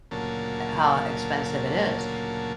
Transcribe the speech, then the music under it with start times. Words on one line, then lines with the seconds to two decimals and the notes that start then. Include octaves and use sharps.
how expensive it is.
0.11 D2 A#2 C#3 F#3 A#3 A5